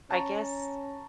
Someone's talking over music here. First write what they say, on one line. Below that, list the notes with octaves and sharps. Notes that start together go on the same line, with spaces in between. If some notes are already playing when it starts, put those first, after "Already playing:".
I guess
C#4 A5 A#5 C#6